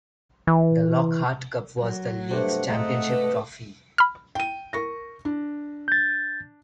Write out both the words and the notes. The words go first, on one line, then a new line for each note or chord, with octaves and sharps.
The Lockhart Cup was the league's championship trophy.
E3
F#3
G2 C3 A3 C4 D4 F#5
G#2 A3 D#4 F4 D#5 F#5
D4 B4
B5 F6
G5 D#7
A#4 C#6 A#6
D4
G6 A6